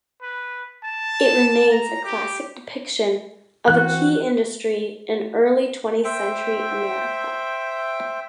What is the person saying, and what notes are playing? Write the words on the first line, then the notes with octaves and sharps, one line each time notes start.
It remains a classic depiction of a key industry in early twentieth-century America.
B4
A5
A#5
G4
E3 C4 F#4 F#6
C5 E5 G5